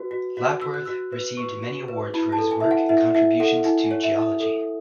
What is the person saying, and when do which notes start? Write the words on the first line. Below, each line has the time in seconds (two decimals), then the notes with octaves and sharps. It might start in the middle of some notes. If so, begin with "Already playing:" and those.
Lapworth received many awards for his work and contributions to geology.
Already playing: F#4 B4
0.11 F#4
0.37 F#4
0.61 F#4 E6
0.74 F#6
0.85 F#4 E6
1.13 B4
1.37 B4 C#6
1.62 F#4
1.88 B4
2.14 E4 B5
2.32 A5
2.38 A4
2.51 G#5
2.61 E4 E5
2.71 F#5
2.89 E4 E5
3.15 E4 E5
3.40 A4 F#5
3.57 F#5
3.65 E4 G#5
3.85 G#5
3.91 C#5
4.04 E5
4.16 E4
4.22 D#6
4.40 A4